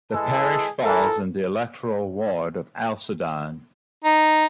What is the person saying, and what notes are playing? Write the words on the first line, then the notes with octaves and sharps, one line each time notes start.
The parish falls in the electoral ward of Alcedon.
E3 G#3 A4
G#4
E3 A4 A#4
D#4